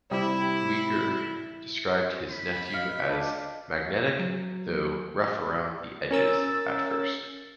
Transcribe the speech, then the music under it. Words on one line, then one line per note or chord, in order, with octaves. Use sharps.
Uygur described his nephew as "magnetic" though "rough around the edges" at first.
C3 G3 E4
B5
D#5 F5
D4
F#3
C#4 A#4 E6 A6